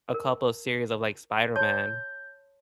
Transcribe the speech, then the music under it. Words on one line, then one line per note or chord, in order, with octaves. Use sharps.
a couple series of like Spider-Man.
A#4
C#5 A5 C6 G6